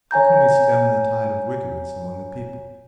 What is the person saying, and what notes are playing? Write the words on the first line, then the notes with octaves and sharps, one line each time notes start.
How can we stem the tide of wickedness among the people?
C#5 G#5 A#5 G6